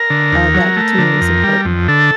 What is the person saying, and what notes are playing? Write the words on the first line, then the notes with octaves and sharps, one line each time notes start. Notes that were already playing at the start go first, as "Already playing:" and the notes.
uh, that to me was important.
Already playing: A#4
D3
D#2
F#3
A3
D3
F2
G3
F2
D3 A4